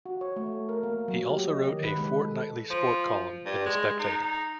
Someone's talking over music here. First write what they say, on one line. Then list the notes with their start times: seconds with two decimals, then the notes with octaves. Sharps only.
He also wrote a fortnightly sport column in the "Spectator".
0.06 F#4
0.21 C#5
0.36 A3
0.69 A#4
0.83 A#3
1.08 F#3
1.26 G4
1.47 D#5
1.70 D#3
1.84 B4
1.97 G#3
2.24 A4
2.70 F3
3.46 G2
3.66 G#3
3.99 D#4